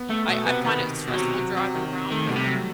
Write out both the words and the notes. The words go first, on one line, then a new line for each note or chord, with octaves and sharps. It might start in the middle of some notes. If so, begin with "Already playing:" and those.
I I find it stressful driving around with
Already playing: B3
A3
B2 A3
C3 B3
D#3 B3
B2
F#3
C3
C3
C3
D#3
C4
D#3 A3
B2 G3
C3
F#3